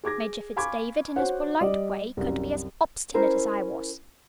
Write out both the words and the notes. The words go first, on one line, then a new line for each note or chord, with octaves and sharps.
Major Fitz-David, in his polite way, could be as obstinate as I was.
G#4 D6 G#6 A#6
F5 G#5 B5 C#6 D6 G#6
F#4 C5 C#5 F#5
G3 D5 D#5
C2 F#2
C#4 E4 A#4 C5